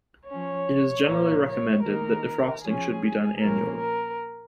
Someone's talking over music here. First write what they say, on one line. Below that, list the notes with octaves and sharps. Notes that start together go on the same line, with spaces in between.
It is generally recommended that defrosting should be done annually.
F3 C#4 C#5
A#2 F3 A#3
C#5
D#3 A#3 D#4 A#4
F3 C#4 G#4
A#2 F3 A#3 C#4 A#4
A#4